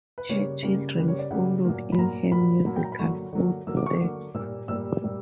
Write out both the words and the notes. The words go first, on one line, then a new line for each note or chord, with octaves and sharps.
Her children followed in her musical footsteps.
B4
C#3 G3 A#3 C#5
C#3 G3 A#3
C#3 G3 A#3 B4
C#5
D5
C#3 G3 A#3 F#5
A#2 F#3 A#3
B5
A#2 F#3 A#3 A#5
A#2 F#3 A#3 B5
A#2 F#3 A#3
G5
A#5
B5
D3 F#3 A#3 C#6
D3 F#3 A#3
D3 F#3 A#3 E6
D6
C#6
D6
D3 F#3 A#3
A#2 G3 A#3 E6
A#2 G3 A#3 E6
A#2 G3 A#3